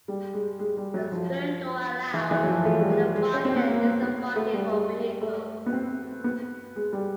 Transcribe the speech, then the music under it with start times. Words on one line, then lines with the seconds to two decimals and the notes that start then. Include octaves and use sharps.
A stern door allowed for the embarking and disembarking of vehicles.
0.08 G3
0.34 G#3
0.59 G#3
0.77 G3
0.94 F#3
1.12 F3
2.14 E3
2.31 E3
2.43 F#3
2.47 F3
2.65 A3
2.81 G3
2.90 G#3
3.16 G#3
3.33 C#4
3.45 C4
3.56 B3
3.68 A#3
3.85 B3
4.02 B3
4.36 A3
4.54 G3
4.70 G#3
5.21 A3
5.66 B3
5.73 C4
6.24 B3
6.76 G#3
6.93 G3